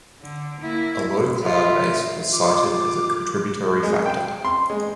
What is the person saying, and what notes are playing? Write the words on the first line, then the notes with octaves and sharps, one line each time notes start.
A low cloud base was cited as a contributory factor.
D3
A#3 E4
F4 E5
F4 D6
G#3
G5
C6
G#3